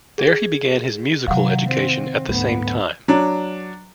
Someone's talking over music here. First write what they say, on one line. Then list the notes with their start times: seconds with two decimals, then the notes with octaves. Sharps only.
There he began his musical education at the same time.
0.18 G#4 G#6
1.28 C3 D#3 F#3 F5 F#5
1.69 C4
2.28 D2 G#2 F#3 B3
3.08 F#3 D4